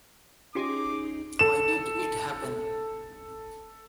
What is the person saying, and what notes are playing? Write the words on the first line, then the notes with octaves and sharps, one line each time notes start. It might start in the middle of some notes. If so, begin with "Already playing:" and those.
Why did it happen?
C#4 D#4 F4 G4 G#4 C6 D6 C7
A4 E7